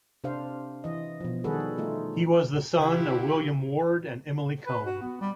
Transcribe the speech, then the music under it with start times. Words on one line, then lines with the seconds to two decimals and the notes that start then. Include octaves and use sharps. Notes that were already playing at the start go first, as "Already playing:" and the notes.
He was the son of William Ward and Emily Combe.
0.24 C3 D4 C5 F5
0.84 E3 D#5
1.20 B2 F3
1.44 D#3 G3 F#4 G#4 A4 B4
1.78 A3 D#4 F4
2.80 C#3 E4 F4 G4 F#5
4.67 B4
4.86 F#4
5.01 B3
5.21 G3